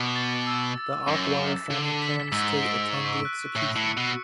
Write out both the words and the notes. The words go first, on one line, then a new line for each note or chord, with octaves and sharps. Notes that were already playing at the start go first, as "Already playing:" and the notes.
The Aguirre family plans to attend the execution.
Already playing: B2 D6
A6
E6
A6
F#2 E6
E7
D3 E6
B6
G#2 E6
D7
C#6
F#6
A2 C#6
A2
C#7
B2